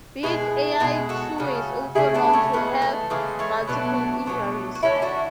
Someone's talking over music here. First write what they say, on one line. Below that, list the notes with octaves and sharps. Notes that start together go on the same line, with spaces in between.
Big Al Two is also known to have multiple injuries.
B2 G#3 E4 G#4
B2 G#3 E4 G#4
F#4 A4
C#3 F#3 A3
C#3 F#3 A3 E4 G#4
B3 D4
A3 C#4
C#3 E3 G#3 B3
A3
C#3 E3 G#3 A3
A3 C#4
B2 F#3 A3 B3 D4
B2 F#3 A3
F#4
D3 A3 C#4 E4
D4 F#4